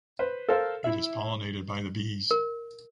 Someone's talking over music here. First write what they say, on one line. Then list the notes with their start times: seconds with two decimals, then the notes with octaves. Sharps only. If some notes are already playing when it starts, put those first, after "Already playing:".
It is pollinated by the bees.
0.19 B4 C5
0.49 A4 A#4 C5 F5
0.84 E4 E5
2.31 A#4